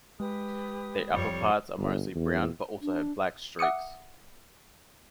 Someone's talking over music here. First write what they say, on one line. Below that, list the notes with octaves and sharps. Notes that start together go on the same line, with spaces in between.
Their upper parts are mostly brown, but also have black streaks.
G#3 G4 B4 D#6
F2 G3 C#5
G1
E2
D4
E5 F#5 D6 D#6 C#7